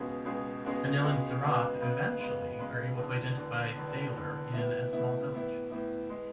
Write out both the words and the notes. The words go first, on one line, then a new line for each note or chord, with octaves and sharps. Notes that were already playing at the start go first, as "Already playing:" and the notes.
Anil and Sarath eventually are able to identify Sailor in a small village.
Already playing: C#2 B2 G#3 C#4 G#4
C#2 B2 G#3 C#4 G#4
C#2 B2 G#3 C#4 G#4
C#2 B2 G#3 C#4 G#4
C#3 G#3 B3 F#4 B4
C#3 G#3 B3 F#4 B4
C#3 G#3 B3 F#4 B4
C#3 G#3 B3 F#4 B4
E1 E2 D3
E1 E2 D3
E1 E2 D3
E1 E2 D3
A2 E3 B3 E4
A2 E3 B3 E4
A2 E3 B3 E4
A2 E3 B3 E4
E3 G#3